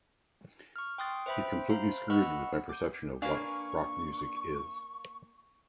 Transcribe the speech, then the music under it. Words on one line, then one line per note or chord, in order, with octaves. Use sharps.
It completely screwed with my perception of what rock music is.
C#6 F6
G5 C6 D#6 F#6 A6
B4 C5 E5 G5 B5
C5 F5 A#5 B5
B4 D#5 F#5 B5 C#6 E6
D6 G6
A#3 D4 B4 F5 G#5 C#6